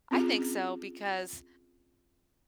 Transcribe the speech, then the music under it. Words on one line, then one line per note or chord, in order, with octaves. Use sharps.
I think so because
C4 C#4 F4 G#4